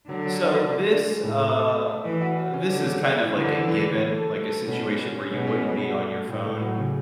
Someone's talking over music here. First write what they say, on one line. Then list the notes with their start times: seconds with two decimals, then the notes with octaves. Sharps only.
So, this, uh, uh, this is kind of like a given, like a situation where you wouldn't be on your phone,
0.09 D3 F#3
0.26 F#3
0.42 D4
0.58 D4
0.74 G#3
0.90 D4
1.07 G#3
1.23 A2
1.40 A3
1.56 A4
1.72 A3
1.88 A3
2.05 E3 B4
2.21 F#4
2.38 F#4
2.54 C#4
2.70 D3 C#4
2.86 G#3
3.02 C#4
3.20 E4
3.35 D3 E3
3.52 E3
3.68 E3
3.85 E3
4.00 A3
4.18 A4
4.34 A3
4.50 A3
4.66 B2 C#4
4.82 C#4
4.98 C#4
5.15 C#4
5.31 B2 G#3
5.47 C#4
5.64 G#3
5.80 F#4
5.96 A3
6.13 A3
6.29 A2
6.45 A2
6.61 F#3
6.78 C#3